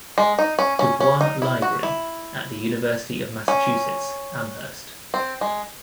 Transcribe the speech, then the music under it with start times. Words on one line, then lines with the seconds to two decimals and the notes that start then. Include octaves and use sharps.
Du Bois Library at the University of Massachusetts Amherst.
0.18 G#3
0.39 D#4
0.59 C#4
0.79 C#4
1.00 C#4
1.21 D#4
1.42 E4
1.62 F#4
1.83 E4
3.48 C#4
5.14 C4
5.41 G#3